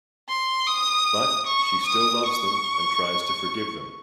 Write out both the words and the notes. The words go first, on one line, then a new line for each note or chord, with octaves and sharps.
But, she still loves them and tries to forgive them.
C6
D#6
C#6
D#6
C#6